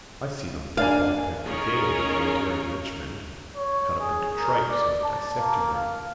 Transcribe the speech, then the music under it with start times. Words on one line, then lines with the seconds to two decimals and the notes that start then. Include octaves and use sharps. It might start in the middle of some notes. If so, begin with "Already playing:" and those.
I see them pop off every day in the Mater and Richmond and cut up into tripes in the dissectingroom.
0.77 A#3 D4 F5 G#5
1.46 C#4 D#4 F4 G#4 A#4 C#5
3.56 C#5
4.00 G#4
4.37 A#4
4.69 D5
5.04 A5
5.37 A#3
5.74 F5